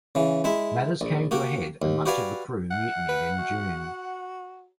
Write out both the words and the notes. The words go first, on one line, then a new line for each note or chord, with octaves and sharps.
Matters came to a head and much of the crew mutinied in June.
C#3 E3
G#3 E4 E5
A#1
A#3 F#4 G4
D#2
F#4 G4 B4 D5 F5 G#5
F#5
B4
F#4